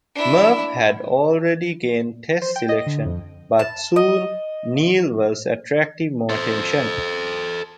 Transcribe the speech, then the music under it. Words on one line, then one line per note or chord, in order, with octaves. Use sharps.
Merv had already gained Test selection, but soon Neil was attracting more attention.
D4 E4
C5
G5
D#5
D3
F2
A5
D#5
A4 C5